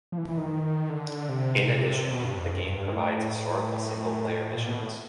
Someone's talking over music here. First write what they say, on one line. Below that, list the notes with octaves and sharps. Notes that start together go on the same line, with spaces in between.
In addition, the game provides historical single-player missions.
F3
E3
E3
D#3
D3
C3
B2
G2
F2
F#2
G2
G2
A2
A#2
B2
A2